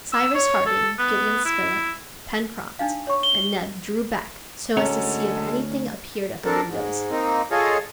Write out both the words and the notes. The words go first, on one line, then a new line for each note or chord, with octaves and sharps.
Cyrus Harding, Gideon Spilett, Pencroft, and Neb drew back, so as to see if anything appeared at the windows.
E6
C#5
A4
B3
E4
D4 D#4 F5
C#5 C#6
G7
D2 G#3 C#4 F#4 A4 F#5 A#5
C4 D4 A4 A#4
G#2
A#3 C4 D#4
F4 G#4 A4 C#5 D#5 F5